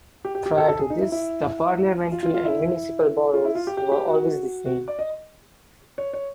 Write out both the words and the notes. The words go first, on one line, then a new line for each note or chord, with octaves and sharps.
Prior to this, the Parliamentary and Municipal Boroughs were always the same.
G4
G4
G4
A4
A4
G#4
D#4
E4
E4
F4
F4
F4
E4
F4
E4
F4
G4
G4
G4
F#4
F#4
D5
D#5
C#5
C#5